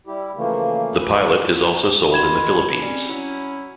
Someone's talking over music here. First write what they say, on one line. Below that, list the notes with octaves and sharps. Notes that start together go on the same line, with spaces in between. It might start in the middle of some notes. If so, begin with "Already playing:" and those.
The Pilot is also sold in the Philippines.
G3 E4 G4
C#3 E3 F3 A3 A#3
D#2 E3 B4
D#3 F4 B5 G#6 E7
G3 C4 C#4
F#3 C#4 E4